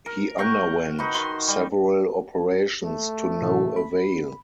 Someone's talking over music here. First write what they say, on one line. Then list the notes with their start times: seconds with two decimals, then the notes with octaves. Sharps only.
He underwent several operations to no avail.
0.06 A#4
0.38 F#5 G5 A#5 C#6
0.98 D#4 F#4 B4
1.14 D#3 C6
1.48 G3
2.84 A3
3.41 A2 C3 E3
3.76 B5